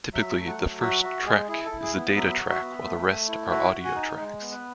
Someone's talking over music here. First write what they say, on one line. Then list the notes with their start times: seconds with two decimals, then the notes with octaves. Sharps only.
Typically the first track is a data track while the rest are audio tracks.
0.13 F#3 E5
0.36 A3
0.47 F#5
0.58 F#3
0.81 F#4 E5
1.03 F#4 E5
1.26 G#3 G#4
1.49 E4 G#4
1.65 A4
1.71 E4
1.82 G#4
1.94 B3
2.16 F#3 E5
2.38 F#4
2.50 E5
2.61 B3
2.84 A3
3.06 A3
3.28 E4
3.51 F#4 E5
3.73 F#4
3.85 G#5
3.95 D#4
4.18 G#3
4.41 B3
4.52 B4